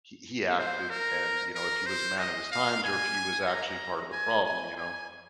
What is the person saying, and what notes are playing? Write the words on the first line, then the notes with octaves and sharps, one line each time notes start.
he he acted, and, you know, if he was a man of his times, or if he was actually part of the problem, you know?
C5
A#4
A#4
C5
D#5
F5
G#5
A#5
G#5
G#5
G#5